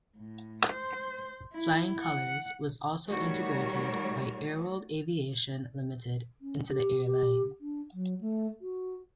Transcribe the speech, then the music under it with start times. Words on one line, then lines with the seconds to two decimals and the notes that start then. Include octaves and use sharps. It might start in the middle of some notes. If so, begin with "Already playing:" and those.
Flying Colours was also integrated by Airworld Aviation Limited into the airline.
0.16 A2
0.68 C5
1.52 E4
2.03 F#5
3.07 D#3 G3 A3 F#4 C#5
6.41 C#4
6.70 G4
7.06 G4
7.61 D4
7.93 F#3
8.21 A3
8.61 F#4